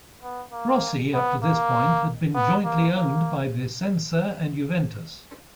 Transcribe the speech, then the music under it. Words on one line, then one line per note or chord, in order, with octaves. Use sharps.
Rossi up to this point had been jointly owned by Vicenza and Juventus.
B3
A#3
B3
A#3
B3
A#3
A#3